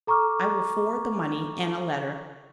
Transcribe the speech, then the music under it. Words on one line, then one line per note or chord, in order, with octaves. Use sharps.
I will forward the money and a letter.
A4 A#5 C#6 D6 F6